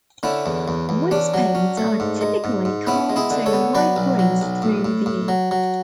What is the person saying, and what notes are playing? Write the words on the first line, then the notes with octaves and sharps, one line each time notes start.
Wind speeds are typically calm to a light breeze through the year.
D3 C#4 E4
E2
E2
E2
C#4 D4
F#3
C#4
A3
G#2
G#3
G#2
G#2
B3 C#4 E4
G#3
E4 G#4
D3
A4 C#5
B3
F#3 B4 D5
B1
F#3
B1
A2
A2
A2
F#3
F#3